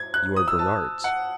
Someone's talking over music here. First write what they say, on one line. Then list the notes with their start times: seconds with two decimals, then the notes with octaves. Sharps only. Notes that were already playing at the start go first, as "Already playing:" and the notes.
"You are Bernard's."
Already playing: G#6
0.14 F#6
0.36 D#6
0.48 E6
0.59 A5
1.04 F#5